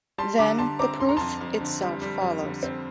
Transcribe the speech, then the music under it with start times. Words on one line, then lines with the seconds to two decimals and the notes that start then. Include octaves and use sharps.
Then, the 'proof' itself follows.
0.18 G3 A5 C6
0.39 D3 A#5 D6
0.59 D3 A5 C6
0.79 C4 A#5 D6
0.99 D3 C6
1.09 A#5
1.17 F2 A5 C6
1.41 F2
1.61 D3
1.81 G3
2.02 G3
2.22 F2
2.42 D3
2.63 C4